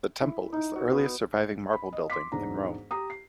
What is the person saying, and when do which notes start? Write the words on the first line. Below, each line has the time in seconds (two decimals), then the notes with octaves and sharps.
The temple is the earliest surviving marble building in Rome.
0.22 E4
0.52 D#4
0.76 F#4
0.92 B3
1.73 B5
1.93 D#5
2.10 C6 D6 B6
2.32 E1 G#2 D4 A#5
2.91 G4 A#5 D#6
3.10 C7